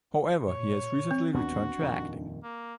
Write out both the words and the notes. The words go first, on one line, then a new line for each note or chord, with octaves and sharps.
However, he has recently returned to acting.
A#2 C#5
C4
D#2 B3 D4 F#4
D#1 F2 D#3
A#3